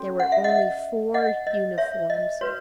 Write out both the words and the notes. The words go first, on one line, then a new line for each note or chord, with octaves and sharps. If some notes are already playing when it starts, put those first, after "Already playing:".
There were only four uniforms.
Already playing: C#4 F#4 A4 C#5
F#5
E5
D#5 F#5
D#5 F#5
D#5
C#5 E5
D#5
F#4 B4 C#5